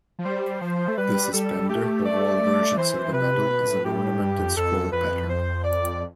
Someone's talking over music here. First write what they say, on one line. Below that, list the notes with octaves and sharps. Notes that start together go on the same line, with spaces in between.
The suspender of all versions of the medal is an ornamented scroll pattern.
F3
G3 C5
F3 C5
A3
G3 B4
G3 A4
A3 G4
D5
E3 C5
C3 B4
B2
A2
A2 G4
G2
F2
F2 A4
F2 B4
C5
D5